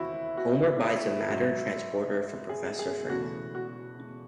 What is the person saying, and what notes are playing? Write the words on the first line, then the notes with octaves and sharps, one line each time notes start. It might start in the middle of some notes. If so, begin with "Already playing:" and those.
Homer buys a matter transporter from Professor Frink.
Already playing: D#2 E3 C4 E4 F#4
F#4
E4
G#2 F#3 C#4
G#4
G#4
E1 E2 C#3 E3 A3 F#4
F#4